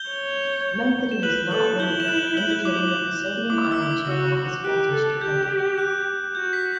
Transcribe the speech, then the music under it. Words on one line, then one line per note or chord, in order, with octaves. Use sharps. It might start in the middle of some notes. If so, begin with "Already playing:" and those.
Note that it is not linear, indicating that the sodium ion channel is voltage-dependent.
Already playing: G6 G7
C#5
E7
B4 F#6 F#7
A4 F#6 F#7
E4 G6 G7
E7
F#6 F#7
F#6 F#7
G6
D6
D6
E4 D6
E6
D6
F#4 E6
G4 F#6
A4
G4 G6
F#6
F#4 G6
B6